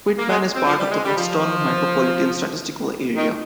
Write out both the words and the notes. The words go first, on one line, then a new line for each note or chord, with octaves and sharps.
Quitman is part of the Ruston Micropolitan Statistical Area.
A#3
G#3
C4
F3
G3
G#3
G3
F3
D#3